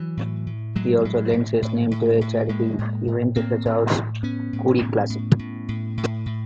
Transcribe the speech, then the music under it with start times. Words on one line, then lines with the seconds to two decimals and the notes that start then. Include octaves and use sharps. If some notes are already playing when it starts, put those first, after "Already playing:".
He also lends his name to a charity event, the Charles Coody Classic.
Already playing: E3 F#3
0.17 A2
0.47 A2
0.76 A2 F#3 G#3
1.05 A2
1.33 A2
1.62 A2
1.91 A2
2.21 A2
2.49 A2 G#3 A#3
2.78 A2
3.07 A2
3.36 A2 A#3 C4
3.65 A2
3.95 A2
4.23 A2 B3 C#4
4.53 A2
4.82 A2
5.10 A2
5.39 A2
5.69 A2
5.97 A2
6.26 A2